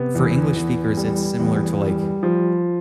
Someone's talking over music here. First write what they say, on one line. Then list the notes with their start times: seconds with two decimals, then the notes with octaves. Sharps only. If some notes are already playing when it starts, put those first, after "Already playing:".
for English speakers, it's similar to, like,
Already playing: C3 B3
0.15 E2
0.56 E2
0.97 G3
1.39 E2
1.81 G3
2.23 F3